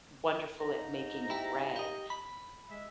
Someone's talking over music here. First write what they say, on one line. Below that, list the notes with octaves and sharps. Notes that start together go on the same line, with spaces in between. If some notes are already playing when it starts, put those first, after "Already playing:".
wonderful at making bread,
G#2 D#4 A#5
E4 G4
G4 D#5
B5
G#3 E5